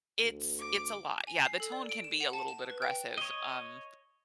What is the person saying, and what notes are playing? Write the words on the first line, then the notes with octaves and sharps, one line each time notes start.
It's it's a lot, yeah, the tone can be a little bit aggressive, um,
D2
D6
G#5
C7
A4
D5
D7
E7
F#5
A5
E7
B4
G5
C#5 D#5